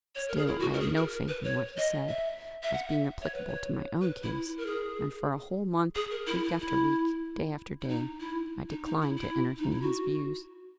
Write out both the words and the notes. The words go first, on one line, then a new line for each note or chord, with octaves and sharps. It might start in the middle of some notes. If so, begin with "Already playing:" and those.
Still, I had no faith in what he said, as being applicable to my own case; and for a whole month, week after week, day after day, I declined to entertain his views.
C#5
A#4
G#4
E4
F#4
A#4
G#4
A#4
B4
C#5
D#5
E5
E5
F#5
E5
C#5
B4
C#5
B4
E4
E4
A#4
G#4
G#4
A#4
E4
E4
E4
E4
D#4
E4
D#4
D#4
E4
E4
D#4
E4
F#4